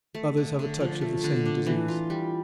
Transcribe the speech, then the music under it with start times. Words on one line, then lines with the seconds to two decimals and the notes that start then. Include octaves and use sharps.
Others have a touch of the same disease.
0.15 A3
0.37 D3
0.59 D3
0.80 F3
1.01 A3
1.24 D3
1.45 D4
1.66 E3
1.88 F4
2.10 G3